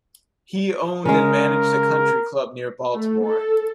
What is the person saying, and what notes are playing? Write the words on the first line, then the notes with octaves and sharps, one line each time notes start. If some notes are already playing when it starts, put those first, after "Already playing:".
He owned and managed a country club near Baltimore.
C#3 G#3 A#4
A3
A4